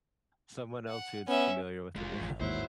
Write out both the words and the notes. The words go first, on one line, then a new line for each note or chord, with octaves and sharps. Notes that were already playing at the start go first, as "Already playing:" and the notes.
Someone else who's familiar with it. yeah.
F#5
B3 C#4 E5
F1 G#3 F4
A1
D#2 G#2 F#3 E4 C5